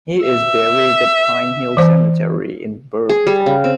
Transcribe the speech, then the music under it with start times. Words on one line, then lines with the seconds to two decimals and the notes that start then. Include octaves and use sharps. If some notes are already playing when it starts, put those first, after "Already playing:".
He is buried at Pine Hill Cemetery in Burlington.
0.23 E5
1.77 E3 C5
3.09 G#4
3.27 G3
3.46 C#3
3.64 C4